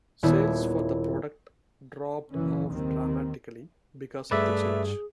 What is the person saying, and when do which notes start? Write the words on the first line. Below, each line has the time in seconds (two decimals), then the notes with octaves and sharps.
Sales for the product dropped off dramatically because of the change.
0.23 D#1 B3 E4 G#6
2.32 F#1 A#2 E3 C#4
2.69 D#2 D#3 C4
4.31 G2 A3 G#4 B4 D5 E5